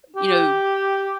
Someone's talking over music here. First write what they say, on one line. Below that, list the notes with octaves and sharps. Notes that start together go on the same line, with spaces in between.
you know,
G4